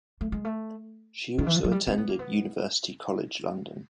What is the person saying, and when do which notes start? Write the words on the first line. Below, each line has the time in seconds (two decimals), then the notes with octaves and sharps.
She also attended University College London.
0.21 A3
0.32 G#3
0.45 A3
1.38 D#3
1.47 E3
1.56 F3
1.64 F#3
1.72 G3
1.87 C4
1.98 B3
2.09 A#3
2.19 B3